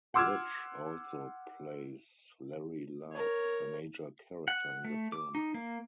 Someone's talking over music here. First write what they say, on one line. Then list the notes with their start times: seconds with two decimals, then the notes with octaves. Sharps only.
Rich also plays Larry Love, a major character in the film.
0.14 F#5 C6 D6 E6 F6 G#6
3.13 A#4 C#5
4.48 F#5
4.85 A3
5.12 D6
5.35 D#4
5.54 A#3